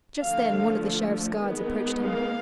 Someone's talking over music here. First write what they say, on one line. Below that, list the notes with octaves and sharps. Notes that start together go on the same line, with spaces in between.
Just then one of the Sheriff's guards approached him.
D3 F3 A3 F5
D#3 G#3 B3 D#4
F5